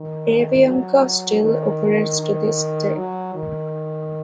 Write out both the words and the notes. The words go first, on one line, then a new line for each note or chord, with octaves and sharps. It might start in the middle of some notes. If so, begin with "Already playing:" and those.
Avianca still operates to this day.
Already playing: D#3
F#3
D#3
D#3
F#3
D#3